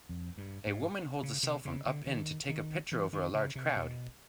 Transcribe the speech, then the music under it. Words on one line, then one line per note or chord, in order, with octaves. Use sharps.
A woman holds a cellphone up in to take a picture over a large crowd.
F2
G2
G#2
C#3
C3
C#3
D3
D#3
D#3
E3
D#3
C#3
C3
B2